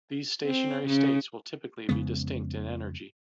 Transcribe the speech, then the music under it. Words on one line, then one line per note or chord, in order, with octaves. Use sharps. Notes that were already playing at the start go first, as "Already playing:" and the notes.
These stationary states will typically be distinct in energy.
C4
C#3
F2 C#3 G#3 B3